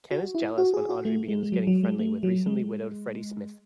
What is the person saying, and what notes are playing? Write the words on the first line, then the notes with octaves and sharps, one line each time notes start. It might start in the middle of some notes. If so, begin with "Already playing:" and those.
Ken is jealous when Audrey begins getting friendly with recently widowed Freddie Smith.
F#4
E4
F#4
G#4
F#4
A3
G#3
G#3
F#3
F#3
G#3
A3
F#3
G#3